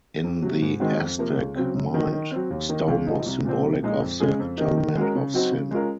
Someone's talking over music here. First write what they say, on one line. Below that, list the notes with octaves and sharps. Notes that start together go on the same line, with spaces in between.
In the Aztec mind, stone was symbolic of the atonement of sin.
F2
C3 F#3
G#2
D#3 G#3 C4 F#4
F2
C3 F3 A#3
C#2
C#3 F#3 C4
F#2
D#3 F#3 A#3
D#3
F#3 C4
D#2
D#3 A#3
C#2
C3 F3 C4 D#4
C2
A#2 F3 C4
C2
A#2 F3 G#3 D#4
F2
C#3 G#3 C#4 G#4
F2
C3 D#3 A#3 D#4
D#3
G#3 C#4 F#4 A#4
C#3
F#3 C4 D#4 F#4
C#3
G#3 C#4 F4 A#4